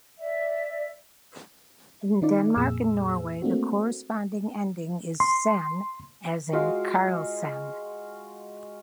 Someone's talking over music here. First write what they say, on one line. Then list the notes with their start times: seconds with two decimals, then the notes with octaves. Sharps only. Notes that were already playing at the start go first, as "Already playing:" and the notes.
In Denmark and Norway, the corresponding ending is "-sen", as in "Karlsen".
0.19 D5 E5
2.22 D#3 C#4 D#4 F4 D5
2.56 F2 A#2 G#4 E6
3.42 A3 A#3 C4 D4 F4 F#4
5.20 C6
6.53 G#3 F4 F#4